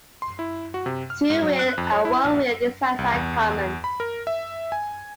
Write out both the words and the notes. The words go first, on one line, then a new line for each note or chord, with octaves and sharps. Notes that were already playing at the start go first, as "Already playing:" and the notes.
Two wheel and one wheel designs are common.
C6
E4
F#4
C3
F6
G#2
F#3
F#6
F2
C#5
E4
A#1
C2
E2
B5
A#4
E5
G#5